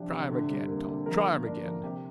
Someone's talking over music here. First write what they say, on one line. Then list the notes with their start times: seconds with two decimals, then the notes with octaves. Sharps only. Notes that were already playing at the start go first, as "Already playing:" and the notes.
'Try 'em again, Tom; try 'em again.'
Already playing: C3 F3 D4 G4
0.11 C3
0.30 D3
0.49 G3
0.68 A#3
0.88 D3
1.06 F3 A#4
1.25 A#3
1.45 D4
1.64 F3
1.83 C3 G4